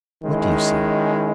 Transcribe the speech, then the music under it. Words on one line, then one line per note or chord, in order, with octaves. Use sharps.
"What do you see?"
D#3 G#3 C#4 E4